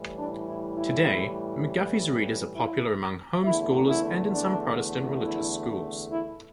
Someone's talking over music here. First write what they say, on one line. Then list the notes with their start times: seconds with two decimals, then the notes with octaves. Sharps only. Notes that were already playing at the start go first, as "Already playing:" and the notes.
Today, McGuffey's Readers are popular among homeschoolers and in some Protestant religious schools.
Already playing: A2 E3 G3
0.18 D4
0.48 E4
0.77 E4
2.55 E4
3.44 E2 D3 A3 E4
3.89 E4
4.33 D4
5.22 E4
6.11 E4